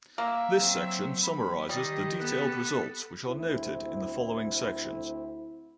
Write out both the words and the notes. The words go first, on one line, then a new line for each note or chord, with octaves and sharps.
This section summarises the detailed results which are noted in the following sections.
A#3 E5
F#3 C4
B5
D#3 G3 G4 D#5
B3 A4 B4
D2 C4 E4